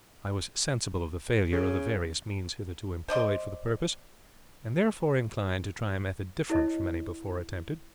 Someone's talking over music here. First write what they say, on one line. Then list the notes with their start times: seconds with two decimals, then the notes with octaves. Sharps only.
I was sensible of the failure of the various means hitherto employed for the purpose, and therefore inclined to try a method different from any before attempted.
1.53 C#3
3.08 C5 D5 D#5 C6
6.50 E4 A4 C#5 D#5